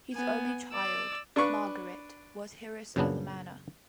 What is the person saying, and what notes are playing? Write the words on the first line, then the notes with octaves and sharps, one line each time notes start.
His only child, Margaret, was heiress of the manor.
B3 G#5
D5 E6
D4 B4 C#6
F#2 A#2 C#3 F#3 B3 D4